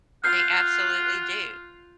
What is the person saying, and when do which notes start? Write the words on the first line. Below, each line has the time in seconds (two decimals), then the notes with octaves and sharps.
They absolutely do.
0.24 F4 F#5 F6 G6 C7